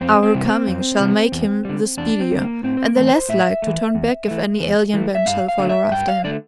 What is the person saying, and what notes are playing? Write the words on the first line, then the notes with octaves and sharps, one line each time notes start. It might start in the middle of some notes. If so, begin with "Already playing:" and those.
Our coming shall make him the speedier, and the less like to turn back if any alien band shall follow after him.
F2 C4
C4
C3 E3 G3
C4
F2
C3 E3 G3
E2
D3 G3
E2 D4
C4
D3 G3
A#3
A2 C4
C5
A#4
E3 A3
C5
A2 E5
E3 A3
E2
E3 A3
E2
E3 A3
E5
G2 F5
F5
D3 A3
E5
G2 G5
F5
D3 A3 D5